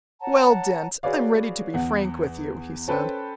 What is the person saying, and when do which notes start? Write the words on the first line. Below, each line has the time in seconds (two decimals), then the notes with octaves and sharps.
"Well, Dent, I'm ready to be frank with you," he said.
0.21 C#5 F#5 A5 A#5
1.03 F#4 G#4 B4 C#5 D5 F5
1.74 E2 F#5
2.88 C#4 A4 B4 C5 G5